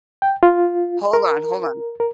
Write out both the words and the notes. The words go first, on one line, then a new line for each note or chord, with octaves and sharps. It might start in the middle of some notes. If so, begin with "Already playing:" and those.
Hold on, hold on.
G5
F4
A#4
A#4